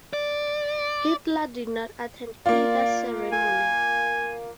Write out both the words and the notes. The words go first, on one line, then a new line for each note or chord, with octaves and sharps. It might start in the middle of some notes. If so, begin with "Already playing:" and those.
Hitler did not attend either ceremony.
D5
A#3 F4 D5
G#5